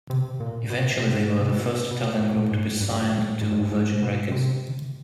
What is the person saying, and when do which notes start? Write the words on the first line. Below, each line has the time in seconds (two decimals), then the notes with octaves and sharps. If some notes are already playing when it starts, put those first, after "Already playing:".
Eventually they were the first Italian group to be signed to Virgin Records.
0.10 C3
0.40 A#2
0.70 B2
0.99 C3
1.40 C3
1.50 B2
1.91 B2
2.21 A#2
2.36 A#2
2.51 G#2
2.80 G2
2.91 G#2
3.02 A#2
3.12 A2
3.41 G#2
3.52 G2
3.61 G#2
3.72 A2
4.02 B2
4.32 C3